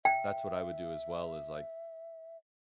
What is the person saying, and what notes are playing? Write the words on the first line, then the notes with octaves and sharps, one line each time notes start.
that's what I would do as well is, like,
E5 G5